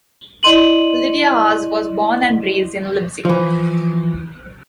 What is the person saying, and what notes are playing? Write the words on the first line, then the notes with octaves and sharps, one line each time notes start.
Lydia Haase was born and raised in Leipzig.
E4 D5 D#5 C6 D#7 F#7
E3 F3